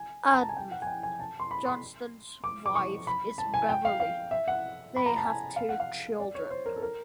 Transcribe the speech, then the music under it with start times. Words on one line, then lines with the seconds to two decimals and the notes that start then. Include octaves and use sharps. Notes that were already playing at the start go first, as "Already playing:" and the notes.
Adm. Johnston's wife is Beverly, they have two children.
Already playing: G#5
0.32 A#5
0.41 A5
0.49 G#5
0.57 G5
0.71 F#5
0.82 G#5
0.87 G5
1.03 G#5
1.20 A5
1.40 C6
1.51 B5
1.66 C6
2.44 D6
2.66 D6
2.75 C#6
3.07 B5
3.38 A5
3.54 G#5
3.69 G5
3.85 F5
4.00 F5
4.31 E5
4.48 F#5
4.96 B5
5.06 A#5
5.16 A5
5.25 G#5
5.56 F5
5.69 F#5
5.80 F5
6.20 D5
6.35 C#5
6.51 C5
6.66 A#4
6.76 A4
6.82 A#4